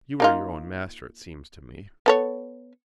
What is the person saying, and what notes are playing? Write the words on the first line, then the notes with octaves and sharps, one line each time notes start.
You are your own master, it seems to me.
A#3 D#4 F4
B3 A4 C#5